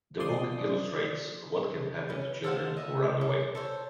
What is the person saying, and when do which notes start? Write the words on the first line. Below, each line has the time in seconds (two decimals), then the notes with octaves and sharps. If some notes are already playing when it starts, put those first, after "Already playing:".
The book illustrates what can happen to children who run away.
0.19 F3 D5 C6 D#6
2.09 C#4 B4
2.44 A4 C5 F5 F#5
2.77 D#5 E5
3.21 C#4
3.55 A4 C5 C#5